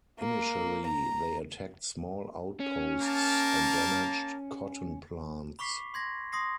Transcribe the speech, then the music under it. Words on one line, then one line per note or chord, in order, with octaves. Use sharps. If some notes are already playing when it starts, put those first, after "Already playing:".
Initially, they attacked small outposts and damaged cotton plants.
A#3
A#5
C#4
A#3 A#4 A5
B5 C#6 D6 B6 C7
C6 G#6 A#6
C6 D#6 A#6 C7